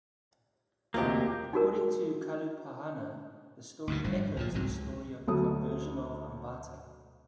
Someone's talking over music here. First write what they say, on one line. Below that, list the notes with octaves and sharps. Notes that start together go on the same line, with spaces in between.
According to Kalupahana, the story "echoes" the story of the conversion of Ambattha.
E1 D2 C3 A#3 F4 G4 D#5 F5
D#4 F#4 A#4
D2 G2 B2
G#1 G2 F3
C#2 A#2 F3
C2 G#2 C3 F#3
C#2
D2 F#3 A4 D#6